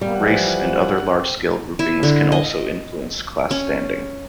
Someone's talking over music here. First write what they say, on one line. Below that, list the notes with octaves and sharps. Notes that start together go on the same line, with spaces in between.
Race and other large-scale groupings can also influence class standing.
G3 A#3 B3
E3 F3 F#5
C4
E4
D3
D#5
C#4